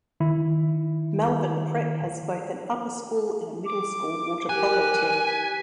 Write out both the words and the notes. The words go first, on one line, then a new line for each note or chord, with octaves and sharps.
Malvern Prep has both an Upper School and a Middle School water polo team.
D#3 E4
D6
G4 A#4 G#5 F#6
B6